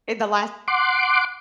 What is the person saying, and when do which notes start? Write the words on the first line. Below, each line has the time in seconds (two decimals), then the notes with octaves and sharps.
in the last
0.68 F#5 C6 D6